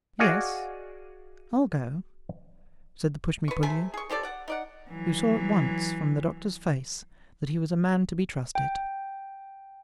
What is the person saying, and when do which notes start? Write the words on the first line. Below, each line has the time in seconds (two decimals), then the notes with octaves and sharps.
"Yes, I'll go," said the pushmi-pullyu who saw at once, from the Doctor's face, that he was a man to be trusted.
0.19 F#4 G#4 D5 D#5 F5 F#5
3.48 B4 C#6
3.63 C3 A3 G#5 B5
3.94 G#4 C#6
4.10 C4 G4 A4 D5
4.23 D5 F#5
4.48 D#4 D5 F#5
4.90 E3 F#3
8.55 G5